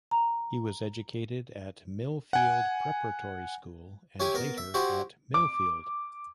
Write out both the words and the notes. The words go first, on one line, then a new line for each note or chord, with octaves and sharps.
He was educated at Millfield Preparatory School and later at Millfield.
A#5
F#5 G#5
C#4 E4 G4 G#5
B3 A#4
E5
E4 F#4 G4 C5
D6